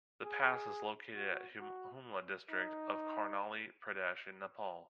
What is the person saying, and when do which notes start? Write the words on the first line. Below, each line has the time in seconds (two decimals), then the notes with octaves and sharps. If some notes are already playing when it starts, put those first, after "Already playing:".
The pass is located at Humla District of Karnali Pradesh in Nepal.
0.25 G#4
1.15 F#4
1.60 F#4
2.50 D#4